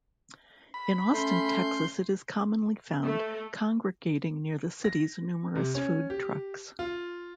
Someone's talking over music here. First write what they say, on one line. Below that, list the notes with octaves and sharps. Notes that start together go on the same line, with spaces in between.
In Austin, Texas, it is commonly found congregating near the city's numerous food trucks.
B5
A3 C#4 C6 G6
A3
A#6
C3
C#4
G4
F4